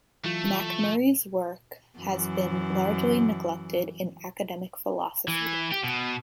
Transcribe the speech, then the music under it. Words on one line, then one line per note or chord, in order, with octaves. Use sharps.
Macmurray' s work has been largely neglected in academic philosophy.
E3 F#3 A3 F4
F#2 E3
E3
G4
B2